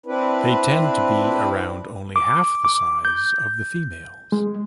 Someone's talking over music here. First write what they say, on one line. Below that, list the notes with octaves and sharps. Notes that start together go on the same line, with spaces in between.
They tend to be around only half the size of the females.
C4 D4 E4 B4
D6
D6
G6
G#3